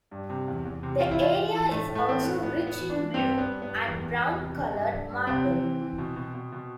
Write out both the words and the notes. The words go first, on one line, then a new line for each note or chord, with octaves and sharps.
The area is also rich in blue and brown colored marble.
G2
C3
E2
E2
C3
E3 F4
E4
E3 F4
E3
E3
A2 A3
A2
A3
E3 C4
A2 B3
A2 B3
A2
B3
E3
D4
E3
G2 C4
G2
B3
G2
B3
G2
E2
E2
E2
C3
D3
G2
D3
G2
C3 C4
E3
E3
E3
B2
B2
B2
B2